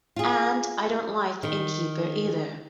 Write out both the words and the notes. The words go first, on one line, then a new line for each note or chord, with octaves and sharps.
And I don't like the innkeeper either.
F4 G#4
D#3